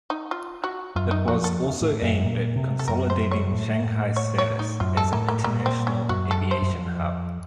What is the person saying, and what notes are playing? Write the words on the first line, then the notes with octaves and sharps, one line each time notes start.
It was also aimed at consolidating Shanghai's status as an international aviation hub.
D#4
F4
F#4
F#2 F4
D#4
F2 F#4
A4
A2
A2
F#2
A#2
C3
A4
F#2 A#4
C5
C#5
A2
C#5
C#5
D#4
F#2 F4
A4
F#2
A2 A#3
A#3
A#2 A#3
C4
C#4
F#2 F#4
A4
C5
F#2
F2